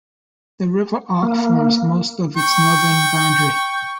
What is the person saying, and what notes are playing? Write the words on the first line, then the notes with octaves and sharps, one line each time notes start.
The River Ock forms most of its northern boundary.
A#3
G5 C#6